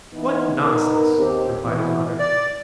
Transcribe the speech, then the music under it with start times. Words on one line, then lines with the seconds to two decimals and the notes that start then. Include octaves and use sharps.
"What nonsense," replied his mother.
0.13 E3 B3 D#4
0.62 B3 D#4 A#4
1.17 D#2 C4 G4
1.64 B2 E3
2.19 D5